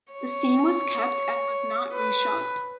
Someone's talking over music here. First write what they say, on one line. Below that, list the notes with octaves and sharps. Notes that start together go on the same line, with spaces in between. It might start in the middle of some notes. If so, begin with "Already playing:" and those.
The scene was kept and was not reshot.
C#5
B4